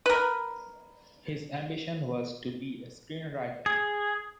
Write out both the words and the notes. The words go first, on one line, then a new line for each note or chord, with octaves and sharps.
His ambition was to be a screenwriter.
A#4 B4
G#4